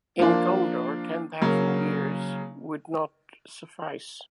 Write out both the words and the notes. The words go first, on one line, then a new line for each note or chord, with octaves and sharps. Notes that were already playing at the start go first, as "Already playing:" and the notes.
In Gondor ten thousand years would not suffice.
F3 A#3 D4 F4
C#3 F#3 A#3